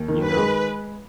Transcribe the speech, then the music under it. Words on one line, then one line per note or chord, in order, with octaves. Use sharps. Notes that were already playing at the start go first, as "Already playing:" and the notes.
You know?
Already playing: D#2
D#3
B4
G#3